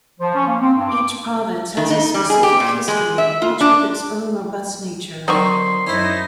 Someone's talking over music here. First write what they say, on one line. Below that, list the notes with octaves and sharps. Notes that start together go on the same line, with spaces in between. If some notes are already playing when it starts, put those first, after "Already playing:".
Each province has a specific history, each with its own robust nature.
F3
C#4
A#3
C4
G2
D6
D#3
D#4
G3
G#4
G4
A#2
G#3
E5
F4
D4
D3 D#3 F#3 C4 C6 C#6
F#2 C#4 D#4 E4 C5